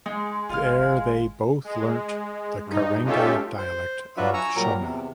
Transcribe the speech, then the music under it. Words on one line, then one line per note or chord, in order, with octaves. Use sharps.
There they both learnt the Karanga dialect of Shona.
G#3 D#4
G#1 F4 F5 F6
G#1
G#3
G2 D#4
G#3 C#4 F4 G4 A4 E5
C5
F#3 D4 F4 F#4 B4 E5
G#5 A#5 C#6 E6
A#2 F#3 G3 A#4 A#5
E2 C3